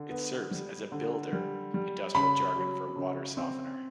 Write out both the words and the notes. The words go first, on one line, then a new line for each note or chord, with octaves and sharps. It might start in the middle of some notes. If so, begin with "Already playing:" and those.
It serves as a "builder," industrial jargon for a water softener.
Already playing: D3
B3
G3
D3
G3
G3
C#3 B5
F#3
C#3
C4